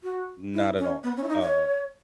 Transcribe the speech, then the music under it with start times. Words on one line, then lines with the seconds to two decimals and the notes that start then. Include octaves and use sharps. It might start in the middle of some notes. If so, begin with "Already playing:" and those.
Not at all, um
0.03 F#4
0.54 E4
0.78 C#4
1.03 B3
1.17 C#4
1.23 E4
1.28 D#4
1.41 C#5